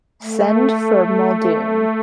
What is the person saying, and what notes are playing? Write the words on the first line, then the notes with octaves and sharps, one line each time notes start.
Send for Muldoon!
A3